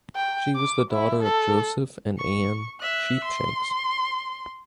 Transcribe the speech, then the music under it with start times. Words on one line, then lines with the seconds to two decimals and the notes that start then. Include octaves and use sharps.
She was the daughter of Joseph and Ann Sheepshanks.
0.16 G5
0.56 D6
0.91 E4
1.23 A4
2.18 C#6
2.81 E5 F#6
3.25 C6